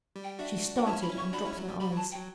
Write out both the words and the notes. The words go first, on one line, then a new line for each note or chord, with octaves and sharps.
She started and dropped her eyes.
G3
G5
D4 F#4 E5
F#4 G5
C#4 E4 A5
B5
C#4 E4
C#6
D4 F#4 B5
C#4 E4
F#3
G3
G3 B5
F#3 A5
G5
F#3